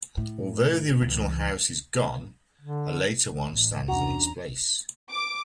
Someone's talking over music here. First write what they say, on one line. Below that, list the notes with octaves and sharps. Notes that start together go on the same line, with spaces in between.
Although the original house is gone, a later one stands in its place.
A2
C#2 E3
D3
A1
E2 C#4 D4 F#4 A#5
D6